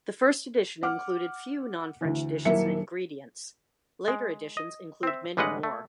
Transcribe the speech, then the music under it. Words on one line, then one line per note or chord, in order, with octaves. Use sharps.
The first edition included few non-French dishes and ingredients; later editions include many more.
F#5 D6 F6
D2 E3
D#1 F#3 A#3 E4 E5 C#7
G#3
D#5
C4 E5
A1 G3 G#3 B4 D#5 F#5
A3